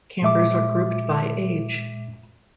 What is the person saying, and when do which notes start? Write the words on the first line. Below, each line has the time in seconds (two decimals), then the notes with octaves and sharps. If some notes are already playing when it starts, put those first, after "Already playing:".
Campers are grouped by age.
0.22 A#2 G#3 E5 D6